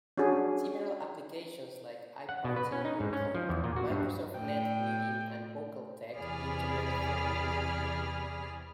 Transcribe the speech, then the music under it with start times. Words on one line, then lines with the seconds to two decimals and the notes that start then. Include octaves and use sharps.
Similar applications like iParty include Microsoft NetMeeting and VocalTec Internet Phone.
0.17 C#4 D4 F#4 G#4
2.29 F#5
2.45 B2
2.56 B4
2.72 C#4
2.85 D#4
3.00 G#2
3.13 C#4
3.35 F3
3.49 E2
3.64 A#2
3.76 F#4
3.90 G2
4.35 A2 G5
6.17 E2 C3 G#4 D5 B5 F6